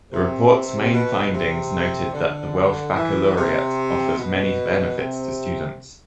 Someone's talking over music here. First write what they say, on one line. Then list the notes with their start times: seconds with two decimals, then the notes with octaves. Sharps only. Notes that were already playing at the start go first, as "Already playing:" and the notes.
The Report's main findings noted that the Welsh Baccalaureate 'offers many benefits to students.
0.11 C3
0.93 B2
1.33 C3
2.14 D3
2.95 E3
3.35 C3
4.17 B2
4.98 C3